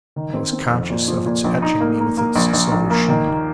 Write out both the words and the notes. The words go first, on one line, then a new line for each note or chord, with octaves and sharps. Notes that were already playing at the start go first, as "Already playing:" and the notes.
I was conscious of its etching me with its silver sheen.
D#3
C4
C4
F2
A#2
F3
A#2
A#1
D#4
A#3
A#3
A#3
A#1
A#1
A#1
A#3
D#3
D#2